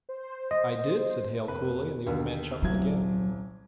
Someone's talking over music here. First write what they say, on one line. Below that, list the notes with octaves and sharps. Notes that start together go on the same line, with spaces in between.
"I did," said Hale coolly, and the old man chuckled again.
C5
D#5
F1 A#3 B4
D#2 D3
D#1 C2 F#3 G#6